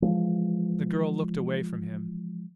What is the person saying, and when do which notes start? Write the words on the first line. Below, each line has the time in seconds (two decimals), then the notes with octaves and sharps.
The girl looked away from him.
0.02 E3 F3 G#3